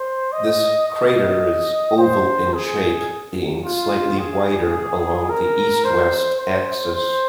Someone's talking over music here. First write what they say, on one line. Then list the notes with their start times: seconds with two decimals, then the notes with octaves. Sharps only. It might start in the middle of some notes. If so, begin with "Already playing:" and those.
This crater is oval in shape, being slightly wider along the east-west axis.
Already playing: C5
0.32 D#5
0.88 D#5
1.98 C5
2.54 G#4
3.64 F4
4.19 G#4
5.29 A#4
5.85 C5
6.40 C5
6.95 C5